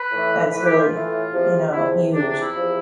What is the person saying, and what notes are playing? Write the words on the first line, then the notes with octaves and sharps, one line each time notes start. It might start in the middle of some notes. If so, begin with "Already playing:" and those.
That's really, you know, huge.
Already playing: B4
A2 E3
A2 E3 B4
G4
F4
A2 E3
E2 C3 F3
E2 C3 F3 E4
E2 C3 F3 D4
D4
E4
E2 C3 F3